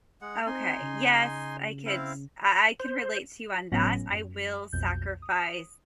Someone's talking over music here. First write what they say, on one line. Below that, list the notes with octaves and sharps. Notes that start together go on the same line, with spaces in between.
Okay, yes, I could I I could relate to you on that. I will sacrifice,
G#3 F#5
C4 D#4 G#5 C6
C#3
C4 E4 F5
C5
G1 A2 F#3 B3 C#4 A#6
F#2
B1 F2 B2 G6
D#6